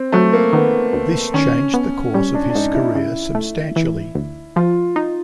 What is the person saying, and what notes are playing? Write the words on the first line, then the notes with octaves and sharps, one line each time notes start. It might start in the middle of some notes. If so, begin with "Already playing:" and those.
This changed the course of his career substantially.
Already playing: C4
F#3 A3
A#3
D#3 B3
D2
D#3 C#4
B3
G3 C#4
D4
D4
G#2 D#4
E4
C#3
A3
E3
D2
F3 F4
D#4